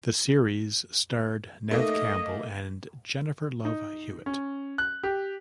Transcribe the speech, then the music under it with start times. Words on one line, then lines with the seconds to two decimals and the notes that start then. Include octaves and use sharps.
The series starred Neve Campbell and Jennifer Love Hewitt.
1.71 A3 A#3 D#4 D#5
3.65 D#4
4.26 C#4
4.78 F#6
5.03 G4